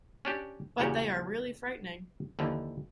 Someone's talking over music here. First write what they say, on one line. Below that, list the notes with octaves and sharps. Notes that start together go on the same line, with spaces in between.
But they are really frightening.
C#4 D4 G4
E2 A#2 C#3 F#4 G4 C#5
D#2 D3 E3 F3